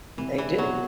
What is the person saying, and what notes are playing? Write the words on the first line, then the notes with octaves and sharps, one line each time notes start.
They do.
C2 E3
E3 D4
B2 F#3